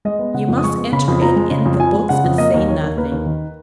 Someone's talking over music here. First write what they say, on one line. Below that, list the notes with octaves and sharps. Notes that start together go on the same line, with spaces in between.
You must enter it in the books and say nothing.'
G#3 D#5
B3
C#3 F#5
F2
D#6
G#3 C#6
B3
C#3 B5
F2
F3 A#5
G#3
C#3
F2
F3 G#5
G#3
C#3 F#5
F2
A#3 D#5
D#2
D#3 C#5
D#2
A#3 B4
D#2
D#3